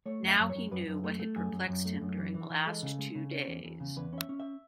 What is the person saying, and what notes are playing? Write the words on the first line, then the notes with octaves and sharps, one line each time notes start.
Now he knew what had perplexed him during the last two days.
A3 C#5
F#2
E5
F#2
C#5
F#2
F#2 B4
F#2
A3
A3
F#2 G#4
F#2
F#2
A3
F#2
E3
E3
E3
G#3 A4
C#3
G#3
C#3
C#4
E2
E2
C#3
E2 B4
C#4
E5
C#4
E5